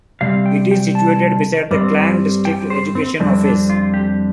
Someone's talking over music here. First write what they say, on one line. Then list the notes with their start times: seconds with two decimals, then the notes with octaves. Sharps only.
It is situated beside the Klang District Education Office.
0.21 C3 G3 C4 F5
0.46 G5
0.71 G5
0.95 A5
1.71 G2 G3 C4
2.45 G5
2.70 C5
2.95 C4
3.20 F2 D3 G3 C4
3.44 D4
3.70 F4
3.94 G4